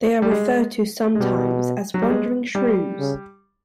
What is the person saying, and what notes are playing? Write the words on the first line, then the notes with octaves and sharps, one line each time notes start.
They are referred to sometimes as wandering shrews.
G3
G#3
G#3
B2 G3
F#3
G3
G#3
G3
C#3